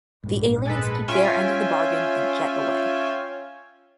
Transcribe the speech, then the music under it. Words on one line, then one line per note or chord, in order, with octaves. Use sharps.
The aliens keep their end of the bargain and jet away.
A#1 G#2
G#3 A4 B4
C#4 F4 E5 G5 G#5